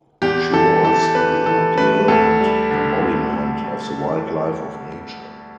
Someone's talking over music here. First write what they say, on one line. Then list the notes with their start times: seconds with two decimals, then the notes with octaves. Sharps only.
She was the ideal and embodiment of the wild life of nature.
0.22 E2 G4
0.52 E3 A4
0.84 E3 A4
1.15 E2 B4
1.46 E3 A4
1.77 A3 B4
2.08 D2 A4
2.40 G3
2.71 D3
3.02 D2
3.33 D2
3.64 D2